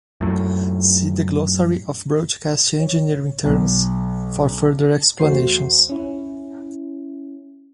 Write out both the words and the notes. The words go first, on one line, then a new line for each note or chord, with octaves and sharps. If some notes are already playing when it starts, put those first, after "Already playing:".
See the glossary of broadcast engineering terms for further explanations.
F#2 A2
C#5
B1
E2 A3 F#4 C5 C7
C#4 E4